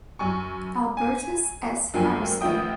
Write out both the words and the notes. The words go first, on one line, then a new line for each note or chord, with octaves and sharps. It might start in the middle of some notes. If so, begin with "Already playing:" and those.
Albertis S. Harrison.
F#2 G#5 C#6
G#5 D#7
F#2 F3 A#3 D4 G5 G#5
A1 D#3 F3 A3 G5 D#6